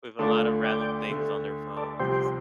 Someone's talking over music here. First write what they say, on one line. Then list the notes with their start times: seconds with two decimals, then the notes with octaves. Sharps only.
with a lot of random things on their phones.
0.19 D2 D3 A3 F4 A4 D5
0.64 D5 G5
1.09 D2 D3 A3
1.77 A4 D5
1.99 C2 C3 F3 G4 C5